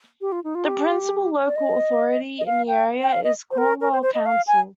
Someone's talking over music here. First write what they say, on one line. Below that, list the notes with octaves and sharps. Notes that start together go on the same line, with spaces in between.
The principal local authority in the area is Cornwall Council.
G4
F4
D#4
F4
G4
D5
D#5
D#5
F5
G5
G5
F5
D#5
C5
A#4
A#4
C5
C5
D#5
F5
G#5